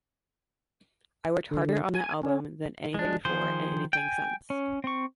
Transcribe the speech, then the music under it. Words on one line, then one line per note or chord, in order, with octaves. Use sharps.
I worked harder on that album than anything before and anything since.
D3
G#5
C#4
G#3 D4
D#3 F3 G#4 C5
G5 G#5
C#4
C4 C#6